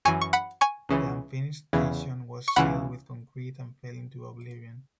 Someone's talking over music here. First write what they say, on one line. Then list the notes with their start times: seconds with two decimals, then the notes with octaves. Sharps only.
The unfinished station was sealed with concrete and fell into oblivion.
0.05 F#2 E3 G#5 C#6
0.21 C#6
0.33 F#5 B5
0.61 G#5 C#6
0.89 C#2 C#3 E3
1.73 E2 C#3 E3
2.48 C#6
2.56 C#2 C#3 E3 F#5 B5